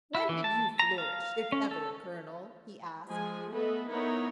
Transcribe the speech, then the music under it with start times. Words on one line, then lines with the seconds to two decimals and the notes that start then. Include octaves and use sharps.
"When did you flourish, if ever, colonel?" he asked.
0.15 E4
0.29 E3
0.44 A5
0.79 A#5
0.98 F5
1.52 C#4
1.71 A4
3.07 F3 G#3 G#4 G#5
3.51 A3 B3 A4 B4 D#5
3.90 B3 D#4 E4 A#4 C#5